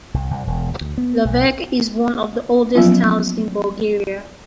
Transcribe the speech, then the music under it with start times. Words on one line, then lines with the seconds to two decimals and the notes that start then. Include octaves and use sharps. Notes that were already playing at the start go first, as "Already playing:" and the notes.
Lovech is one of the oldest towns in Bulgaria.
0.14 C2
0.30 C2
0.47 E1
0.69 D2
0.81 D2
0.98 B3
1.25 B1
2.75 F3 F#3 A#3 B3 C#4 F4